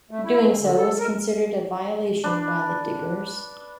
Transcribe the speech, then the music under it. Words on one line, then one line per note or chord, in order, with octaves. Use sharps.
Doing so was considered a violation by the Diggers.
A3
E4
C4
D3
A4
A#4
D4 B4